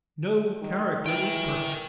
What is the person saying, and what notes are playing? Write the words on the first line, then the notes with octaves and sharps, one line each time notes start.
No character is perfect.
D#3
E3 A#4 G5